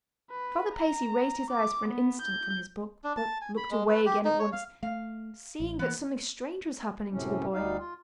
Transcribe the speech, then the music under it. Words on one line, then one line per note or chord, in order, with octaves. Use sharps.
Father Paissy raised his eyes for an instant from his book, but looked away again at once, seeing that something strange was happening to the boy.
B4
A#5
D6
B3
G6
D4
A5
G#5
B5
G#3
B4
G4
D#4
C#5
F5
A3 F5
A1
E3 A#3 B3
F#2 A2 C3 C#4
D2 G3 D#4 F5
F4